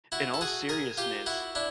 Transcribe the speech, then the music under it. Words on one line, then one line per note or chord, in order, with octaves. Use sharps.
in all seriousness,
E4 F#4
A4
F#4 G#4
G#4 A#4
F4 G4
E4 F#4
D4 E4